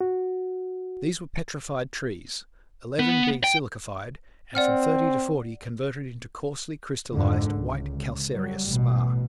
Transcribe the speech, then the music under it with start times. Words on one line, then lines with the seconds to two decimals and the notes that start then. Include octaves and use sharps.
These were petrified trees, eleven being silicified, and from thirty to forty converted into coarsely-crystallized white calcareous spar.
0.01 F#4
2.99 B3
3.44 G5
4.55 C4 D5 F#5 F6
7.13 G#1 F2 G#2 D3
7.51 C#2
8.32 F#3 G3
8.64 A1 B2